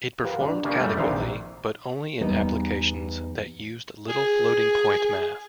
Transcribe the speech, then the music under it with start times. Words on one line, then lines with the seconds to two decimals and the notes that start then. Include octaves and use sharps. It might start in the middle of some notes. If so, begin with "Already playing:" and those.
It performed adequately, but only in applications that used little floating point math.
0.23 F4 G4 A#4 B4 F5 F#5
0.40 D4
0.64 C#3 A#3 D4 G4 F5 A5
0.80 F#2 C#3 G3 A3
0.97 A#1 C3 D#3 E3 F5
2.21 E2 G3 B3 D#4 D#5
4.09 G#4